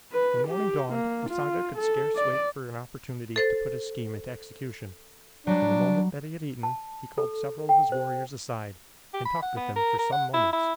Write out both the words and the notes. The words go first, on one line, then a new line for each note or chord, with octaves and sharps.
When morning dawned Usanga could scarce wait for an opportunity to put his scheme into execution, and the moment that he had eaten, he called several of his warriors aside and talked with them for some moments.
B4
G4
A#3
F4
A4
D5
A4 C5 A6
F#3 G3 D4
A5
A4
G5
C5
G4
B5
F#5
B3
A#4
A#4
F#5
E4
E4